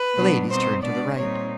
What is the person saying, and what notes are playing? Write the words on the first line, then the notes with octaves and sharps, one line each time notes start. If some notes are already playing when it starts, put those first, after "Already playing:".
The ladies turned to the right.
Already playing: B4
B2 F#3 B3 D4
B2 G3 C4 D#4 C5
B2 G#3 B3 D4 D5
A#2 G3 C4 D#4 C#5